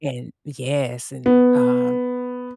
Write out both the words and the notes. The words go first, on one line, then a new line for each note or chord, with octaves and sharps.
And yes, and, um,
B3